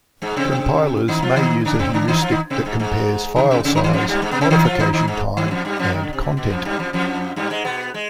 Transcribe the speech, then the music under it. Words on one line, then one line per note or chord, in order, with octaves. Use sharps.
Compilers may use a heuristic that compares file size, modification time and content.
G#2 G#3
C3 C4
D#3 D#4
F3 F4
D#3 D#4
D3 D4
C3 C4
D3 D4
D#3 D#4
F3 F4
D#3 D#4
C3 C4
G#2 G#3
G#2 G#3
D3
C3
C3
D3
D#2 D#3
F2 F3
G2 G3
G#2 G#3
B2 B3
C3 C4
D#3 D#4
F3 F4
D#3 D#4
D#3 D#4
G#2 G#3
D#2 D#3
F2 F3
G2 G3
F2 F3
D#2 D#3
D3
C3
B2
B2
F2 F3
G2 G3
F2 F3
F2 F3
G2 G3
G#2 G#3
B2 B3
G#3